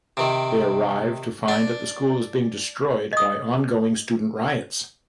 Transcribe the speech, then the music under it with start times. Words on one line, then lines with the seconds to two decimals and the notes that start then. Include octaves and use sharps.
They arrive to find that the school is being destroyed by ongoing student riots.
0.17 C3 D#3
1.48 D4
3.13 D#5 D#6